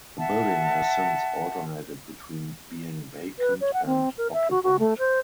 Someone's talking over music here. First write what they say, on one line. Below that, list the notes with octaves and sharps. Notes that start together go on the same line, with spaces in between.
The building has since alternated between being vacant and occupied.
E5 F#5 A5
B4
C#5
F#5
C4
A#4
E5
F#4
F#4
A3
C5